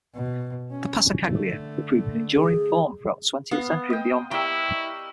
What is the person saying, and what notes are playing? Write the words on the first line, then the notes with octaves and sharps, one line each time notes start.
The passacaglia proved an enduring form throughout the twentieth century and beyond.
B2
C#4
D3 A3
G#4
B3 F5
D#5 G5
G3 E4 A#4 G5 A#5 C#6 E6